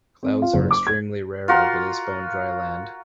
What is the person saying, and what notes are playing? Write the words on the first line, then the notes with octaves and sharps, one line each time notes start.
Clouds are extremely rare over this bone-dry land.
C4
F4
F#1
D6
G#6
F4 F#4 A#4 C6